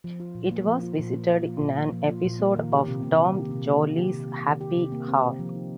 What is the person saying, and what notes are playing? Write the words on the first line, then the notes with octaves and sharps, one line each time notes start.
It was visited in an episode of "Dom Joly's Happy Hour".
F3
F4
A#2
A#3
F3
F4
A#2
A#3
F3
F4
A#2
A#3
F3
F4
A#2
A#3
D#3
G4
C3
A#3
D#3
G4
C3
A#3
D#3
G4
C3
A#3
D#3
G4
C3
A#3
C4
G4
F3
D#4